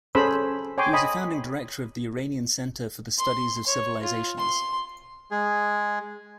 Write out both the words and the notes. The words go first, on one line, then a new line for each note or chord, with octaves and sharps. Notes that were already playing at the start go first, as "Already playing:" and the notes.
He was a founding director of the Iranian Center for the Studies of Civilizations.
C#4 G#4 A4 C5 B5 E6
C#5 G5 G#5 C6 D6
D#5 G#5 B5
C6
C#5
F4
C6
G#3 G#4